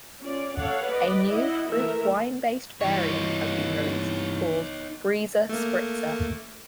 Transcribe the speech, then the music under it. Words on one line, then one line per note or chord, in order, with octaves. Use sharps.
A new fruit wine-based variant has been released, called Breezer Spritzer.
C#4 F4 D5
A3 A4 C#5 F5 F#5
B4 D5 D#5
E4 D#5 F#5
E3 A3 A#4 E5
G2 E3 D#4 C#5
A3 A#3